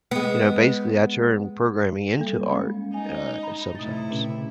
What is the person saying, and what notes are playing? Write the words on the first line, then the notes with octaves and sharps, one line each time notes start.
you know, basically, I turn programming into art, uh, sometimes.
G#3 B3
G3 A#3 A4
G#3 C#4
D#4 G#5
A#5 B5
A2 C3 E4 D#6 A6
A#2 C#3 C#4